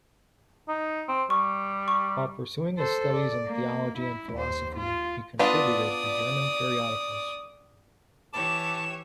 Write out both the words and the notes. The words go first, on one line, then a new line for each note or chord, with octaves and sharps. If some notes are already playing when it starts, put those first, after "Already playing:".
While pursuing his studies in theology and philosophy, he contributed to German periodicals.
D#4
C4
G3 C#6
C#6
A4 C5
D5
A#3
E4
D#2 C5
F4
B3 D4 F4 D5 D#6
E3 G4 C#5 A5 D6 E7